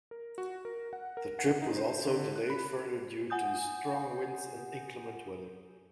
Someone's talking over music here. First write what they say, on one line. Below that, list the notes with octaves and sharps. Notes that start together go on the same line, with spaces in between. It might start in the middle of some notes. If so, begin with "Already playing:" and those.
The trip was also delayed further due to strong winds and inclement weather.
A#4
F#4
A#4
F#5
A#4
F#5
D#4
C5
D3
F#6
B5
F#5 G#5 D#6 G6